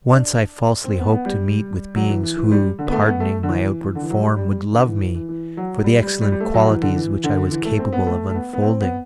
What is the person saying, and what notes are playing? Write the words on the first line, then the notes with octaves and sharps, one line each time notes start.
Once I falsely hoped to meet with beings who, pardoning my outward form, would love me for the excellent qualities which I was capable of unfolding.
D4
C4
B3
B3
G3
F#3
E3
E3
E3
G3
D3
B3
A3
B3
A3
D3
E3
D3
E3
F#3
G3
G3
D3
E3
E3
E3
E3
F#3
G3
G3
G3
G3
A3
F#3
E3
D3
E3
D3
E3
A3
C4
B3
A3
A3
B3
B3
C4
B3